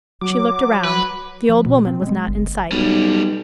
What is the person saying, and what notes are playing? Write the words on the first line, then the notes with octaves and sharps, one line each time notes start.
She looked around. The old woman was not in sight.
F#3 D6
B4
F3
B2
C4
G#3
G1
B1 G3 C#4